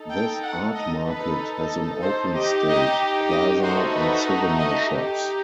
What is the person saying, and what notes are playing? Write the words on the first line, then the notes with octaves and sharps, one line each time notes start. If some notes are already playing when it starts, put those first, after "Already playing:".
This art market has an open state, plaza, and souvenir shops.
Already playing: D#4 A4
G5
F#5
D#5
D#4 A4 B4
C5
D#4 G4 D#5
D#5
D#5
A3 D#4 F#4 C5
B4
D#5
D#4 G4